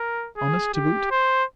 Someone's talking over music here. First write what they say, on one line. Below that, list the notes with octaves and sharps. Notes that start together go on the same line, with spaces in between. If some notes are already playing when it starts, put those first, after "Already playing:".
Honest, to boot.
Already playing: A#4
G#4
G4
C5